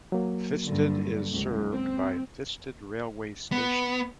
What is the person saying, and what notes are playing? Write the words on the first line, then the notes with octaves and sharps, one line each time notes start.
Thisted is served by Thisted railway station.
F#3 A#3
G2 D3
C#2
C4
B3